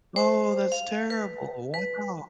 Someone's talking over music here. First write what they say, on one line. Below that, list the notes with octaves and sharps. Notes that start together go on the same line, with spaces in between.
Oh, that's terrible. Wow.
C5
F5
B4
B4